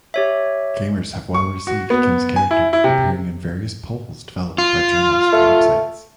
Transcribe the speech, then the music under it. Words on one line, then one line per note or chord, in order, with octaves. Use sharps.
Gamers have well-received Kim's character, appearing in various polls developed by journals and websites.
G4 C#5 E5
C#6
F#4
B3
G#5
E4
E4
C3
F4
A3